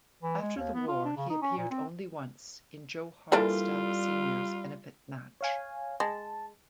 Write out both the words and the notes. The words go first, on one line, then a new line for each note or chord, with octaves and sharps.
After the war he appeared only once, in Joe Hardstaff senior's benefit match.
E3
G#3
D#2
B3
F4
D4
C#3
D#4
C#4
A#2
C4
E3 G3 A#3 D4 E4 F4 A4
C#5 F5 G#5
G#3 A5